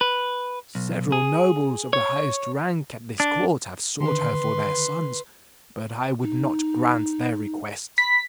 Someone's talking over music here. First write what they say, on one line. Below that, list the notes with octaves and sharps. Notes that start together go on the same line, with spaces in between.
Several nobles of the highest rank at this court have sought her for their sons, but I would not grant their request.
B4
B1
G#4
C#5
D4
D3 D#3 B4 C6
D#4
B5 B6